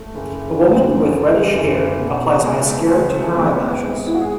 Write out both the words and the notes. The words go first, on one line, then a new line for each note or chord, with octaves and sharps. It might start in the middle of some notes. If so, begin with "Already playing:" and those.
A woman with reddish hair applies mascara to her eyelashes.
Already playing: A3
F#1
D2
D3
F#1
B2
C#2 G#3 B3
A3
C#2 G#3
A3
G#1 G#3 B3
G#1
E4
F#4
G#4